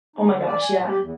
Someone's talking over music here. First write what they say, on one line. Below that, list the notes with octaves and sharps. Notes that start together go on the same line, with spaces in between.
Oh my gosh. Yeah.
D#4
D3
D5
G#5
A#2
G4
E2